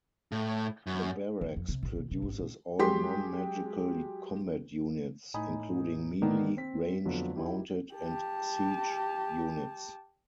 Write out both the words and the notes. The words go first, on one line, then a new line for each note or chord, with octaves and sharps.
The Barracks produces all non-magical combat units, including melee, ranged, mounted, and siege units.
A2
F#2
E2
F2
C3
A1
C3
C3
G#1
A#2
F#3 G#3 G4 G5 C6 B6
A2 D#4 G#5 B5 D#6
D3 D#3 A#3 B3 D4
C4 B6
F2 D3 F#3 A3 B3
D#4 E4 G4
G4 A5